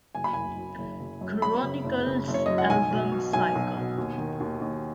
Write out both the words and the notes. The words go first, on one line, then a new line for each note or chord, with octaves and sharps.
Chronicles album cycle.
F#1 G#5
B5
F#1 G#5
F#2
F#1
F#1
F#2
F#2 B5
C#3
F#1
C#3
F#1
C#5
F#2 D#5
F#5
B1 G#5
B2
B2
B1 G#5
B1
B2
D#2
D#3
D#2
D#2